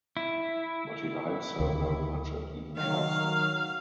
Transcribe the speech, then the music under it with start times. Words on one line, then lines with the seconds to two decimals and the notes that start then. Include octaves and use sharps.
But he likes her very much and even loves her.
0.17 E4
1.60 D2 C#3
2.77 D#3 F#3 F5